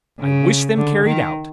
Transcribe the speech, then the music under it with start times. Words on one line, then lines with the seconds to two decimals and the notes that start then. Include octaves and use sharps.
I wish them carried out.
0.20 C#3
0.77 D3
1.06 D#3